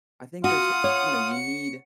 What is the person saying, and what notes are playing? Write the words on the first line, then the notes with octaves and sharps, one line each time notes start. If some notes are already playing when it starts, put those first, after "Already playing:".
I think there's h you know, you need
F4 F#4 F#5 D#6
C#5
C#7